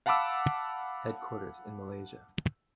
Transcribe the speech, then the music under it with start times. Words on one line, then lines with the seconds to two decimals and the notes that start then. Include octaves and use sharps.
Headquarters in Malaysia.
0.06 F5 F#5 A5 B5 D6 E6